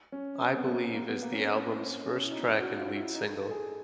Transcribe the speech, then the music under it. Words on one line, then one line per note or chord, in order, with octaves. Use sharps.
"I Believe" is the album's first track and lead single.
C#4
C4
B3
A#3
A#3
B3
A#3
C#4
C4
C4
C#4
E4
D#4
F#4
F4
E4
D#4
A4
G#4